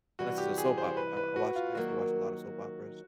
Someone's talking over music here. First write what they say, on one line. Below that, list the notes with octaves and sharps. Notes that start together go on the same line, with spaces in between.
unless it's a soap opera, I I watch I used to watch a lot of soap operas.
C3 E3 G3 F#4
G4
G#4
C5
B4
B4
F#4
F4
D#3 F#3 A#3 F#4